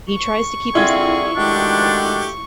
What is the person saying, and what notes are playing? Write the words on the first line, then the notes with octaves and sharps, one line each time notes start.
He tries to keep himself awake to avoid these.
C#6
D3 C4 E4 F4 G#4
D#3 G#3 A3 D4 F#4 G4